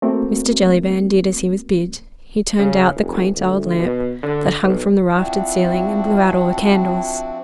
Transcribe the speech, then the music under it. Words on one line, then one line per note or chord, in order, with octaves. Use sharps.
Mr. Jellyband did as he was bid--he turned out the quaint old lamp that hung from the raftered ceiling and blew out all the candles.
A3 A#3 C4 F#4 A#4
C#3
F1
D2
B2
D3
B1
F3 C4 D4 E4 F#4